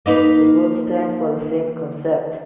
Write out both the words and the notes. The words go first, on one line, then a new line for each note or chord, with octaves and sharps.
They both stand for the same concept.
A#3 D#4 B4